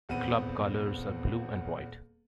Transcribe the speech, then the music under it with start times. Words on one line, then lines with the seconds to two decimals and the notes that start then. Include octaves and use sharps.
Club colours are blue and white.
0.09 D#1 E2 B3 C4 D#7